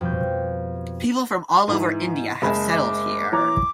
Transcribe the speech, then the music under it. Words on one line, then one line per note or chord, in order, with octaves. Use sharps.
People from all over India have settled here.
F2 B2 G3 G6
G#2 E3
F#1 G#3 A5 B5
D6
E3 C#5 A#5 D6